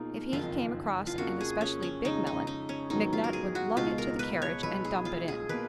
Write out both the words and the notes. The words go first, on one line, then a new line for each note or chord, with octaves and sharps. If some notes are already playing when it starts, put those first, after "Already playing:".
If he came across an especially big melon McNutt would lug it to the carriage and dump it in.
Already playing: B2 A#3 D#4 F4 G#4
F#1 F2 D#3 F4
F4
F2 C#3 F3 A#3 F#4
G#4
C#4
C#4
F2 C#3 G#3 D#4
D#4
D#4
C#4
G#2 D#3 F#3 B3 D#4
F4
A#4
G#4
F#4
C#2 B2 G#3 F4
A#4
B4
C#5
B1 B2 G#3 D#4 B4
G#4
F4
G#4
B2 A#3 B4